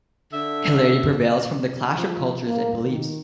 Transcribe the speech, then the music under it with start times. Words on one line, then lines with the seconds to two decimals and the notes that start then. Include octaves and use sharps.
'Hilarity' prevails from the clash of cultures and beliefs.
0.33 D3 D4 E5
1.95 F3
2.47 A#3
2.85 D#3